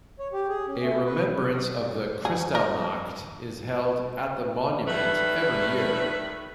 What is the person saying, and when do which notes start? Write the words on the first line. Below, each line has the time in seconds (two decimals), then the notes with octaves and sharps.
A remembrance of the Kristallnacht is held at the monument every year.
0.19 C#5
0.33 G4
0.49 G#4
0.67 C#4
0.81 A3
1.05 B4
2.25 G#4
2.55 A#4
4.87 D#3 G3 A3 B4